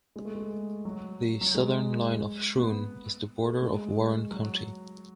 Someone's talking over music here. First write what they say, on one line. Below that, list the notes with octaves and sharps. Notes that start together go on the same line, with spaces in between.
The southern line of Schroon is the border of Warren County.
G#3
A3
G#3
F#3
F#3
G#3
B3
A3
G#3
F#3